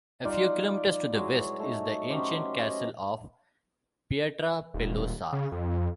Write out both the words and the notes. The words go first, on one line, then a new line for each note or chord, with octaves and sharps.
A few kilometers to the west is the ancient castle of Pietrapelosa.
G3 D#4 F4 D5
F#3 G#3 E4 C#5
A3 D#4
F#3 C#4 G4 C5
D#5
D#1
C#3
F2